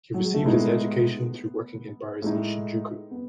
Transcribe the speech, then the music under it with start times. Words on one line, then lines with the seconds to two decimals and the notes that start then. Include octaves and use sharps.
He received his education through working in bars in Shinjuku.
0.14 F#3
0.24 G#3
0.34 A3
0.44 A2 G#3 B3 D#4
2.22 A2 G#3 D#4
3.11 B3